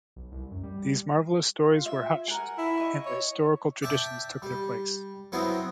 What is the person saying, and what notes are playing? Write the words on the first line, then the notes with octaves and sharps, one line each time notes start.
These marvelous stories were hushed and historical traditions took their place.
B1
C2
F#2
G3
G3
F4
E5
A#4 F#5 G#5
E4
D#5 C#6
C#5
D5 E5 G5 A5
G3
F#3 B3 C4 E4 D#5